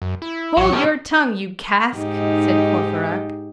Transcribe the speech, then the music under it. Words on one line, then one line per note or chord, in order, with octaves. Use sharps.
"Hold your tongue, you cask!" said Courfeyrac.
F#2
E4
A1 F#3 C#5
A2 C#4 G4
G#2 D#4 G4